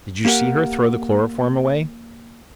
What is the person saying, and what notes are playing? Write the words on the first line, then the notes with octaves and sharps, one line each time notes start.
"Did you see her throw the chloroform away?"
A#3 G4 A#4 F#5